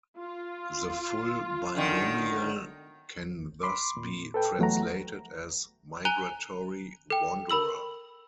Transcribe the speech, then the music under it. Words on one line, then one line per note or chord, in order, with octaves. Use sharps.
The full binomial can thus be translated as "migratory wanderer".
F4
F#2 D3 D#3
B5 C6 D6
A#2
A4 B4 G5
E2 F#3 A3 F#5 A#5
G#5 A#5 F#6 D#7 F7 G7
A4 G5
A#4 B5 E6 F#7